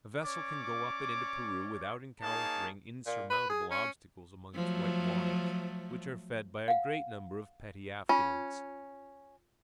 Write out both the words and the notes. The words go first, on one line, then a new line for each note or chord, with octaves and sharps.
A vessel can go up it into Peru without encountering insurmountable obstacles among its white waters, which are fed by a great number of petty affluents.
C#4 C#5 D5 D6
A#3 D#4 G#4 C#5 A5
A#2
B4
G#4
C#4
F3 F#3 A3
F5 F#5
C#4 F4